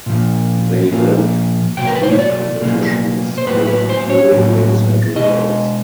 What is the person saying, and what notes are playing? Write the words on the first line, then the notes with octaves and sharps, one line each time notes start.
They live tweet competitions with viewing links and results.
A#2 F3 A#3
A#2 F3 A#3
B2 F#3 A#3 G5
A#4
B4
C5
C#5
D5
B2 F#3 A#3
C5
A2 F#3 A#3 B4
B4
C5
C#5
A2 F#3 A#3
B2 G#3 D#5